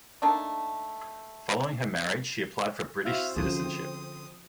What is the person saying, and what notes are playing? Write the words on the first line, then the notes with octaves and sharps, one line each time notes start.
Following her marriage she applied for British citizenship.
A3 A#3 D4 D#4
C4 E4 F#4 C5 E5 F5
D3 F3 C#4 G#4 D#6